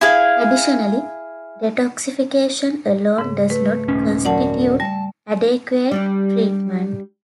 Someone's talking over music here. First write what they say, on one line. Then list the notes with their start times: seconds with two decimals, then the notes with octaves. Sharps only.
Additionally, detoxification alone does not constitute adequate treatment.
0.01 E4 G#4 F5 G#5
3.18 G#2 C#3
3.50 A3 B4
3.88 D#1 C#4
4.25 F#2 F#4 D5 F#5 A5
4.80 G3 A5
5.91 G3 D4 G4